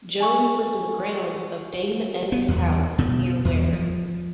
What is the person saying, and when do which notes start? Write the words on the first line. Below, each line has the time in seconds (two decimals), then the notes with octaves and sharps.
Jones lived in the grounds of Dane End House near Ware.
0.20 G#5 C#6
2.32 B3
2.48 E2
2.98 B2
3.45 E2
3.73 F3